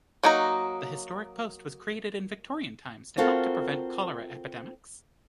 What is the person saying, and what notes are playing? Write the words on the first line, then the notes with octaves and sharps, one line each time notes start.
The historic post was created in Victorian times to help to prevent cholera epidemics.
F#3 A#3 D#4 F#4 A#5
C4 F4 F#4 A4 A#4